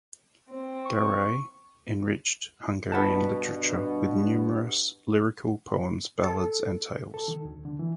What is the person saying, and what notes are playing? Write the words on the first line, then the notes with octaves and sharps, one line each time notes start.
Garay enriched Hungarian literature with numerous lyrical poems, ballads and tales.
C4
C#6
G2 B2 B4 F#5 A5
A4
A4
D#3
D2
D3
E3